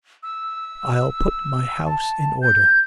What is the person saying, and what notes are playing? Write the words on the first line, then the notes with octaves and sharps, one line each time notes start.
I'll put my house in order.'
E6
A5
G6